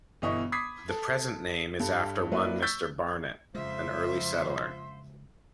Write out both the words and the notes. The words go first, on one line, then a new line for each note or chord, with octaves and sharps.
The present name is after one Mr. Barnet, an early settler.
G1 B2 E3 D#5 E5 C#6
B5 D6 D#6 G#6 B6 C7
A4
G2 A4
F#3 A#3 E4 B4 D5 E5
C#6 E6 G6 A6 B6
F2 C#3 F3 G#3 C5 E5 F5 C6